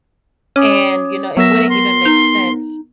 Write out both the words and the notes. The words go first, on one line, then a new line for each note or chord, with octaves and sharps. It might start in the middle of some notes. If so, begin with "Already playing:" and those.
and, you know, it wouldn't even make sense
C#4 C#5 D6 D#6
F#3 B3 A#4 E5 A#6
C6
D#4